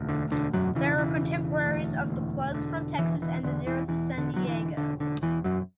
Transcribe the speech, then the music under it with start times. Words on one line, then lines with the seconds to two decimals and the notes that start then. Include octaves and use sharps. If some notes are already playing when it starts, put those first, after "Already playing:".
They were contemporaries of The Plugz from Texas and The Zeros of San Diego.
Already playing: E1 D2
0.09 D3
0.31 E1 D3
0.54 F#2 F#3
0.75 C#3 E3
0.98 E3
1.21 E1
1.66 D2
2.10 E1
2.54 D3
2.99 E1 E3
3.22 E3
3.43 E2 D3
3.67 E3
3.88 E1 E3
4.18 D3
4.34 D3 F#3
4.48 E3
4.77 E1 D3
5.00 D3
5.22 E2 E3
5.44 F#2 F#3